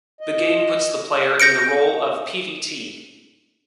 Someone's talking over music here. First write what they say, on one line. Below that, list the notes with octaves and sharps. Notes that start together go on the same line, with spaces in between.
The game puts the player in the role of Pvt.
D#5
G6 A#6 C#7 D7